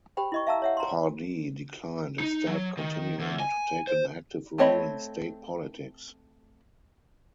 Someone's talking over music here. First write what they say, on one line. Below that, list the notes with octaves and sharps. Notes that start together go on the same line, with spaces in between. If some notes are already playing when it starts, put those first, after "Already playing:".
Pardee declined, instead continuing to take an active role in state politics.
G4 C5 G5 B5
E4 D#5 C#6
E5 F5 A5 A#5 E6
C#5 E5 F#5
A#5 C6
D#4
F#3
D#3
E2
G#5
C5
A3 C4 C#5 D#5 B5